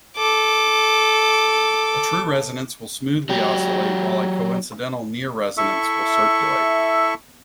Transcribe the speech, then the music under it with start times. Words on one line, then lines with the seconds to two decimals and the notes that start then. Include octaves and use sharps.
A true resonance will smoothly oscillate while a coincidental near resonance will circulate.
0.16 A4 D6
3.29 F#3 G4
5.57 E4 A4 E5 C#6